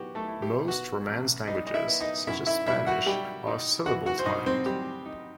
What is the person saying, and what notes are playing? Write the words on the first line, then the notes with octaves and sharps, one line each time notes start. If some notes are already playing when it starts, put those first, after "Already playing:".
Most Romance languages, such as Spanish, are syllable-timed.
Already playing: B3 F#4 G4
A3 A4
E4
G4
B3 F#4
A1
G3 D#4 D#5
D#5
E4 E5
B3
D#4 D#5
F#2 E4 E5
E4 E5
G3 E4 E5
F#4 F#5
G3 G4 G5
D#4
E3 F#4 F#5
F#4 F#5
C5
G2 D#4 D#5
C4 C5
G3 G4
D#4